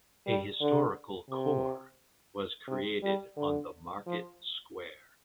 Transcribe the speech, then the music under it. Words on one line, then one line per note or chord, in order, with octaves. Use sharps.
A historical core was created on the market square.
G3
D3
C3
C3
G3
D3
F3